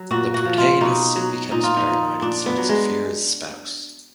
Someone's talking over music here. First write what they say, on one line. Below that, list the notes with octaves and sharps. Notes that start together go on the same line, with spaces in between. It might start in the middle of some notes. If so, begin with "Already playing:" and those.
The protagonist soon becomes paranoid and starts to fear his spouse.
Already playing: F#3
A#2 F#4
F#4
F3
F4
B2 D#4
F#3
A#2 D#4
F4
D#4
F3
A#2 D4
B3
F#3
G#3